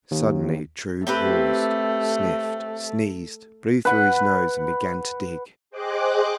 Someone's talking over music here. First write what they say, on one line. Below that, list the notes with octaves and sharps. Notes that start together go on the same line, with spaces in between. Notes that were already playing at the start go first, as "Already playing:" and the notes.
Suddenly True paused, sniffed, sneezed, blew through his nose and began to dig.
D#2
A3 C4 G4 B4
B4 F#5
G#4 C5 D#5 G5 D6 F#6